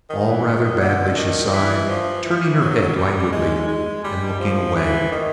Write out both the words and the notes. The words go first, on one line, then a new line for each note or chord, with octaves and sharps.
"All rather badly," she sighed, turning her head languidly and looking away.
D#3
E3
D#3
D#3
D3
D#3
E3
F3
E3
F#3
G3
G#3
G#3
G3
F3
E3
D#3